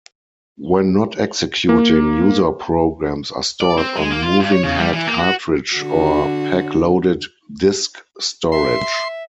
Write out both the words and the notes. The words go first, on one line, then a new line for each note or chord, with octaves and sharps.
When not executing, user programs are stored on moving-head cartridge- or pack-loaded disk storage.
A#3
D5
C4
G#3
A#3
F4
G2
C#5
C#3
G3
E3
A#3
F#4
D3 F#4
E5 C6